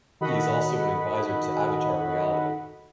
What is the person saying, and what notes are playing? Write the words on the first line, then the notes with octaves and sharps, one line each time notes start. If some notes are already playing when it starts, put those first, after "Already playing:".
He is also an advisor to Avatar Reality.
D#3 F#4 A4 D#5 F#5 B5